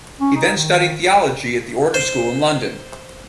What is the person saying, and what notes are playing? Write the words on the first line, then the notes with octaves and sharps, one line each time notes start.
He then studied theology at the order's school in London.
C#4
D#4
D#3
C5